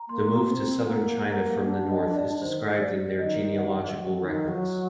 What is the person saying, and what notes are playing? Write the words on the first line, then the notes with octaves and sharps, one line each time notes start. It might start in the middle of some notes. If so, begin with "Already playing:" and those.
The move to southern China from the north is described in their genealogical records.
Already playing: A#5
A#3 C6
C6
A#5
C4
A#3 F#5
A#3 F#5
D4 F#5
D#5
D5
D#3 C5
D5
D#3 D#5
F#5
F#3
D#3
F#3